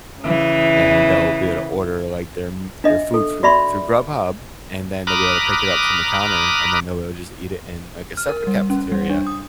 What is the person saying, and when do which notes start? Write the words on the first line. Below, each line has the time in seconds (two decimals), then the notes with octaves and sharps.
And they'll be able to order like their m their food through through Grubhub, and then they'll be able to pick it up from the counter, and then they'll just eat it in, like, a separate cafeteria.
0.22 C#3 E3
2.84 D4 D#5 E5
3.14 A4
3.43 F#4 D5 E5 B5 C#6
5.07 A#5 B5 D6 D#6 F6 F#6
8.17 F6
8.29 A#4
8.47 G3
8.70 C#4
8.92 G3
9.10 D4
9.27 D#6